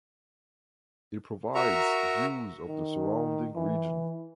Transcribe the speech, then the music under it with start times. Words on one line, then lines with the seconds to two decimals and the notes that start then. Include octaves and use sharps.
It provides views of the surrounding region.
1.55 F#4 A#4 E5 A#5 C#6
2.68 D#3
3.56 E3